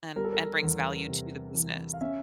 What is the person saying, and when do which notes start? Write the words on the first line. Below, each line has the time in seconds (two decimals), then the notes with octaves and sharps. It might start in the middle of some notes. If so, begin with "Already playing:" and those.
and and brings value to the business.
0.16 G3 A#4
0.24 A4
0.32 A#4
0.63 E2
1.08 C3
1.55 E3
1.94 F5
2.01 C#4 E5